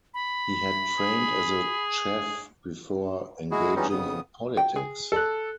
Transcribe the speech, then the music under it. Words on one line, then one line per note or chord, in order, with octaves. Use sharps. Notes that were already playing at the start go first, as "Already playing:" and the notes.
He had trained as a chef before engaging in politics.
B5
G#4
G#3 E4 F#4 G#4
E3 G3 G#3 B3 C#4 D#4
F2 C#3 B3 D#6
G5
G#4
A4 F#6